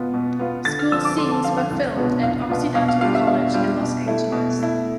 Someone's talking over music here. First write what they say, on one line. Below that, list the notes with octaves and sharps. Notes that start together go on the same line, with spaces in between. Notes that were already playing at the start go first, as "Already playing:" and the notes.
School scenes were filmed at Occidental College in Los Angeles.
Already playing: B2 B3 F4
B2
B3 F4
D3 A6
F6
F3 C4 E6
D6
D3 C6
A5
F3 C4 F5
F5
C2
B2 B3 D4 F4
C2 F5
B2 B3 D4 F4
B2 F5
F5
G3 D4 F4 F5
E5
B2 F5
G3 D4 F4
B2
A3 E4
B2
A3 E4